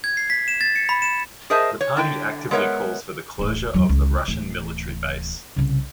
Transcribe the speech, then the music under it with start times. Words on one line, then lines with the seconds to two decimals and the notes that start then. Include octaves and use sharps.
The party actively calls for the closure of the Russian military base.
0.04 G#6
0.17 C7
0.30 B6
0.48 E7
0.61 A6
0.76 C#7
0.89 B5
1.02 E7
1.50 G#4 A#4 C5 D#5 E5 A5
1.81 C#5
1.97 D3 E4 G5
2.51 G#3 B3 A#4 C#5 E5 F#5
3.39 D1 A1
3.74 E2 F#3
3.89 C#2
4.28 D1 E3
5.56 C2 C#3